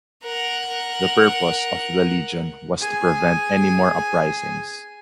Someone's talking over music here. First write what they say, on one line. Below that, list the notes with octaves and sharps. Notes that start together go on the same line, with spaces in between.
The purpose of the legion was to prevent any more uprisings.
A#4 F#5
G#4 G#5